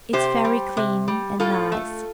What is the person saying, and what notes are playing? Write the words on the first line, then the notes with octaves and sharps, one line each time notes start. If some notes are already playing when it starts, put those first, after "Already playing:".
"It's very clean and nice."
C3 G4 C5
G3
C3
G3
A2 F4 A4
A3